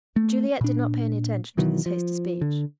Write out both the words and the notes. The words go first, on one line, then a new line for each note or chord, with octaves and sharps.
Juliet did not pay attention to this hasty speech.
A3
A#2 D4
B2 D#3 E3 F#3
F3
D3